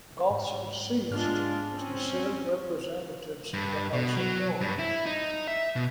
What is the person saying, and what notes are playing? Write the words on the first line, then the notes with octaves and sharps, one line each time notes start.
It also ceased to send representatives to the House of Lords.
G#2
G#2 G#3 D4 F4 F6
C4 C#4
G2
B2
F#3
G2
E4
D#4
E5
B2